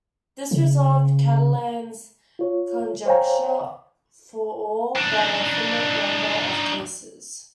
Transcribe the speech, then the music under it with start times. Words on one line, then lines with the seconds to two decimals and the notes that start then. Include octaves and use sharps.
This resolved Catalan's conjecture for all but a finite number of cases.
0.51 C#3
2.39 F4 C#5
3.06 C5 C#5 F5 G5 G#5 A#5
4.96 D4 D#4